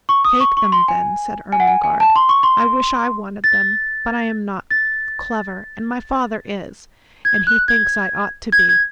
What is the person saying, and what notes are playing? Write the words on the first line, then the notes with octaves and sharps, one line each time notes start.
"Take them, then," said Ermengarde; "I wish I wanted them, but I am not clever, and my father is, and he thinks I ought to be."
C#6
D#6
C#6
C#6
C6
G#5
G#5
F#5
G#5
G#5
A5
C6
C#6
C6
A6
A6
G#6
F#6
G#6
G#6
G#6